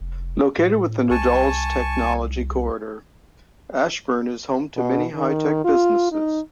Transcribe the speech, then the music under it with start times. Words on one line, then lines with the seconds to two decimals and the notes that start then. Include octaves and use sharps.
Located within the Dulles Technology Corridor, Ashburn is home to many high-tech businesses.
0.01 F1
0.58 A2
1.11 C2 G#5 A5 C#6
4.77 B2
5.15 D#3
5.64 F4
6.12 D#4